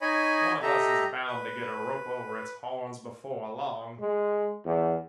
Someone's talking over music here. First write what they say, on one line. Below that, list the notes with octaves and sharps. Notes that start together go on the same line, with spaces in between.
One of us is bound to get a rope over its horns before long.
D#4 C#5 D#5 G#5 B5
G4 A4 D#5 E5 A#5
B4
G#3
E2